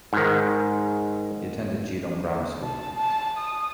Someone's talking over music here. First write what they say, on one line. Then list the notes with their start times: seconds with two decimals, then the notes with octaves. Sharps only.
He attended Geelong Grammar School.
0.13 G#2 D#3
2.63 A5
2.96 A5
3.37 D#6